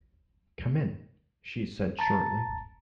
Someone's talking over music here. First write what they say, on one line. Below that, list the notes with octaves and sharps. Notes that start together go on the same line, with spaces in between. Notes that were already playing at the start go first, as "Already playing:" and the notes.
"Come in," she said shortly.
A5 A#5 A6